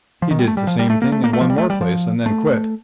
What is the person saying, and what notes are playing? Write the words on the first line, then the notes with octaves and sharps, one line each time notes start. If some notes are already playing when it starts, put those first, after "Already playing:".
He did the same thing in one more place and then quit.
F3
D#3
G3
A3
G3
F3
G3
A3
A#3
A3
A#3
A3
F3
G3
A3
G3
F3
A3